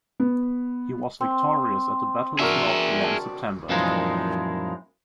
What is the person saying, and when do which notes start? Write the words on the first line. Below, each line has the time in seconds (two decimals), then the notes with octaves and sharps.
He was victorious at the Battle of Nauplia in September.
0.20 B3
1.21 C4
2.39 D4 F#4 G#4 A#4 E5
3.01 D5 A5
3.69 F#2 A#2 E3 F3 G#3 D#4